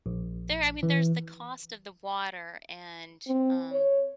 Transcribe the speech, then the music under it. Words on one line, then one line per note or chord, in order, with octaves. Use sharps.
There I mean, there's the cost of the water, and, um,
A#1
E3
C4
C#5